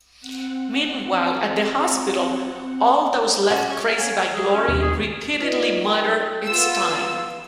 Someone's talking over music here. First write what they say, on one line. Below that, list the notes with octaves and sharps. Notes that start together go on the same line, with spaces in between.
Meanwhile, at the hospital, all those left crazy by Glory repeatedly mutter, It's time.
C4 F#5
G3 C#4 F#4
C#5 F5 F#5 G#5
G#3 G#4
C#4 D#6
D#2 B2 G3 D4 G4
G#4
D#4 F4 B4 D5 D#5
A#4 G5 B5
B3 F4 E6